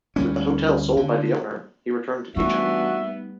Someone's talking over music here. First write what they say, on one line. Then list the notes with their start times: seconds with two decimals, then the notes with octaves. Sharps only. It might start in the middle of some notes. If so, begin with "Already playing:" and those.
With the hotel sold by the owner, he returned to teaching.
0.16 D2 G3 C#4
0.97 D3
2.36 E3 G3 A3 B3 D4 D#4 F#4 E5